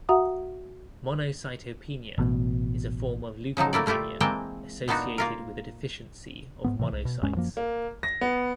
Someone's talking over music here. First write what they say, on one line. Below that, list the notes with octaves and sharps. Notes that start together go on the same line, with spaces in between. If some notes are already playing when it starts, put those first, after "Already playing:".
Monocytopenia is a form of leukopenia associated with a deficiency of monocytes.
F#4 E5 F#5 A#5 D#6
A1 B2
C#3 F3 F#3 D#4
A3 A#3 E4 D5
A#2 A3 E4 F4 G4
E3 G#3 A#3 C4 G5 A5
A#2 B3 D4 D#4 F#4
A#3 F4 A#4
G#2 B2 B3
A2 C3 E3
C2
B2
D1 G2 G#3 C#4
F#2 F3 A#3
A#3
A#6
B3